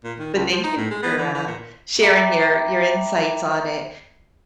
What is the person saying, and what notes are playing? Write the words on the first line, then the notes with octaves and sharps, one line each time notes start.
but thank you for, uh, sharing your your insights on it,
A#2
D#3
C#2
F3
D#4
A2
G#3
B3
E3
E3
A#2
E5 G5 A#5 B5 D6